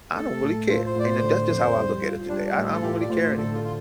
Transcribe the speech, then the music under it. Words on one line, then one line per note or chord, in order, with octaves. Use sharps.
I don't really care, and that's just how I look at it today. I I don't really care anymore,
A3 A4
A2
F4 C5
C5
A2 D5
C5
D3
F2
G3
F4
G3 D4
D4
A2
F4
A4
F4 G4
D5
A2 C5
C5
D3 A4
F4
F4